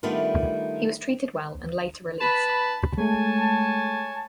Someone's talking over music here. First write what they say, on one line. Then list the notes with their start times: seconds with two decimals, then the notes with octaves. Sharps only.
He was treated well and later released.
0.03 D#3 G3 A3 B3 D4 F4
2.20 B4 A5 B5
2.98 G#3 A3 C#5 G#5 A5